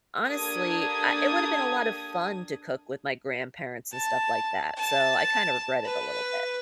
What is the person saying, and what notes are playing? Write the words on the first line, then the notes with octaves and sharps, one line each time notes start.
honestly, I it would have been a lot of fun to cook with my grandparents and stuff like that, so I kinda regret it a little bit.
A#3 D4 G4 A4 D#6 G#6
A5
A5
B4